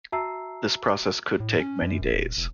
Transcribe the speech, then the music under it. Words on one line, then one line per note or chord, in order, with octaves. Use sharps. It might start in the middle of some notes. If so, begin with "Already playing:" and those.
This process could take many days.
F#4 E5 A5 A#5 E6 C7
A2
C#4
F#2
D#1
D#1
F1